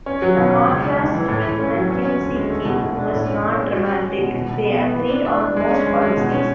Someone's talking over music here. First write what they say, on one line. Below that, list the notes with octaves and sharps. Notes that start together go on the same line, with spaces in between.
The contrast with Mackenzie King was not dramatic - they agreed on most policies.
C#4
F#3
B2
C#4
C#2
C#2
C#2
E3
A2
A2
C#4
F#3
C#4
C#4
D2
G#3
A3
B2
B2
D4
A2
C#4
A2
G#3
F#4
C#4
G#3
B2
B2
B2
B3
B3
E3
D4
D4
D4
G#3
C#4
G#3
G#3
B2
C#4